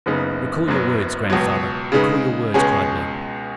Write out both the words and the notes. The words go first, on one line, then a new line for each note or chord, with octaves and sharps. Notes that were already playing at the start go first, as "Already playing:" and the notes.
"Recall your words, grandfather--recall your words!" cried Mabel.
F#1 F#2 C#3 B3 D#4
F#1 F#2 F#3 B3
C#2 B2 F#3
C#3 G#3 D#4 B4
C#2 B2 G#3 C#4 G#4